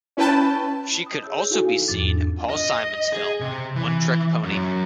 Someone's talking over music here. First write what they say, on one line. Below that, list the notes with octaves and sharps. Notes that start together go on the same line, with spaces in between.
She could also be seen in Paul Simon's film "One Trick Pony".
C#4 E4 B4 G5 A5
D#5 D#6
G#4 C#5 E6 G6
D#4 E4 F#4 A4 F5 G#5
E2 G#2 F3 C4 D6 A6
D4 F4
D#5
G#4
C3
E3
F#2